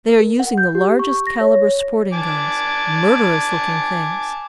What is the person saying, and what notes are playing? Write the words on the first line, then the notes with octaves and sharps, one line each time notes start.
They are using the largest caliber sporting guns,--murderous-looking things.
A#4
F#5
G6
G4
C#6
A#6
C#5
G#5 A5 D6